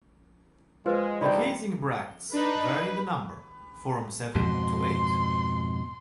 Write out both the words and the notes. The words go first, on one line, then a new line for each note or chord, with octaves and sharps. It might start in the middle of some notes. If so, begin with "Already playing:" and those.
The casing bracts vary the number, form seven to eight.
G#3 F4 B4 C5
C2 G2 D#4 D5 G5 B5 C6
D4 D#4 B4
F2 G#2 B2 C6